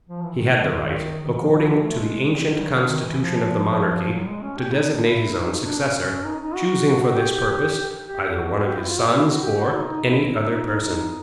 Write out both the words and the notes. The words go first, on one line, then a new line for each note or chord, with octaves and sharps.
He had the right, according to the ancient constitution of the monarchy, to designate his own successor, choosing for this purpose either one of his sons or any other person.
F3
E3
D#3
D3
D#3
D#3
E3
F3
E3
A3
G#3
G3
D#3
D#3
D3
D#3
E3
F3
F#3
G#3
C#4
G4
D#4
D4
E4
D#4
D4
C#4
D#4
D#4
F#4
G4
G4
F#4
G4
E4
F4
F#4
E4
F#4
G4
F#4
D#4
D#4
E4
D#4
D#4
D#4
D#4